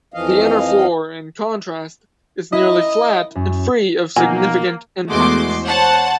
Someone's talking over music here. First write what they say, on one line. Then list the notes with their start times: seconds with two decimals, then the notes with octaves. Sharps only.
The inner floor, in contrast, is nearly flat and free of significant impacts.
0.14 F2 E3 F3 D#5 F5
2.52 E4 A#4 D#5
3.35 F#2
4.16 B2 F3 F#3 A#3 D#4 G#5
5.10 E2 G#3 A3 F#4 C6 D6
5.64 C5 C#5 F#5 A5